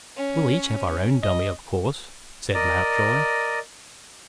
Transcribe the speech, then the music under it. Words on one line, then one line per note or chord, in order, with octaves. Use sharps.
"We'll each have our own dummy, of course," said Mountjoy.
C#4
C#5
D#5
A#4 D5 D#5